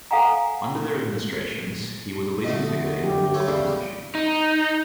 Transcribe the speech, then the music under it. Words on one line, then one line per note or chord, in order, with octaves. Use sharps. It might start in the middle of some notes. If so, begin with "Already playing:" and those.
Under their administrations, he was a leading figure in the war crimes issue.
A4 F5 F#5 G#5 A#5
D3 A3 F#4 D#5
G4
A3 A4 C#5
E2 C#3 G3
D#4